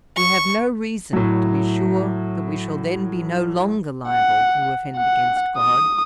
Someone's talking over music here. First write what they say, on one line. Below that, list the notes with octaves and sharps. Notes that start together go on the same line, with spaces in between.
We have no reason to be sure that we shall then be no longer liable to offend against GOD.
C#6
A2 F#3
F#5
F#5
D#6